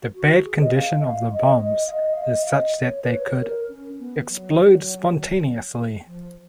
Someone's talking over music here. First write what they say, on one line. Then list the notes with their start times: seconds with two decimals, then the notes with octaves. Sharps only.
The bad condition of the bombs is such that they could explode spontaneously.
0.15 F#4
0.44 G#4
0.62 D#5
0.74 F5
0.99 D#5
1.04 F5
1.33 D#5
1.62 D#5
1.87 F5
1.92 D#5
2.14 F5
2.21 D#5
2.43 F5
2.52 D#5
2.81 C#5
3.03 B4
3.11 C#5
3.40 A#4
3.69 C#4
4.00 B3
4.29 F#3
6.07 F3